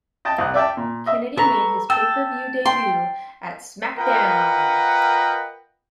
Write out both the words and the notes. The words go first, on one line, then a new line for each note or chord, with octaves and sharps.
Kennedy made his pay-per-view debut at SmackDown!
D#5 G5 A5
C2 D#6 F#6
D5 E5 G5 A5
A#2
D#5 E5
A4 B4 A#5 C#6
G5 A5 E6
G5 C6
F4 A#4 B4 D#5 F#5 G5